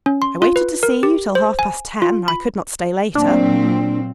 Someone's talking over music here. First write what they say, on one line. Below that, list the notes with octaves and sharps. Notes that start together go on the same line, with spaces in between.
I waited to see you till half-past ten, I could not stay later.
C#4
C6
F4
B4
A#4
G4
C5
G#5
F4
B5
A#2 F#3 C4 D4